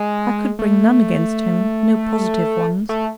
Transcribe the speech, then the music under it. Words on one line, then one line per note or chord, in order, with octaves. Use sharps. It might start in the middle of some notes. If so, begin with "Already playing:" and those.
I could bring none against him--no positive ones.
Already playing: G#3
A3
A3